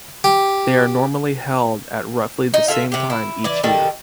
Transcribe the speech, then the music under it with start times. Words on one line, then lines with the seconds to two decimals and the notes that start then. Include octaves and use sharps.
They are normally held at roughly the same time each year.
0.24 G4
2.54 D#4
2.68 F4 A4 E5
2.92 C3 G4
3.10 E4
3.44 E3 D5
3.64 D#3 G3 A4